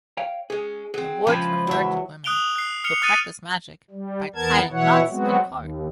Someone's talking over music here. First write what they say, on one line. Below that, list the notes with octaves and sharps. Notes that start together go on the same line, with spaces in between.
The words refer to women who practice magic by tying knots in cords.
C#5 F5 G5
G#3 C#4 G#4
F#3 C4 G#4
C#2 F3 C#4 E4 F4 B4 A5
E2 F#3 E5
D#6 F#6 D7 F7 G7
F#6 C7
F6 C#7 F7
D#6 F6 F#6 A6 C#7 D#7
G3
E2 B3 A#4 A5 G#6
B2 E3 E4 C#5 F#5
F#3 G#3 B3 C4 F#4
D#2